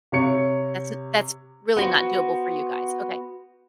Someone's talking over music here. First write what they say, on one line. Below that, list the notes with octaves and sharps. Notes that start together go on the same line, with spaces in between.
That's n that's really not doable for you guys, okay.
C3 C#5 C#7
B3 F#4 C5